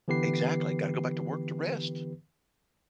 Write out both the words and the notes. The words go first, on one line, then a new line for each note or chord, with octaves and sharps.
Exactly. Gotta go back to work to rest.
D3 E3 B3 G4 B4 C7